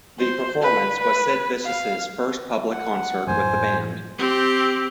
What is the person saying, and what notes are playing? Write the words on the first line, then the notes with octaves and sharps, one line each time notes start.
The performance was Sid Vicious' first public concert with the band.
C5
B4
B4
F5
F#5
A1 F#2 A2 C5 G#5
C4 G4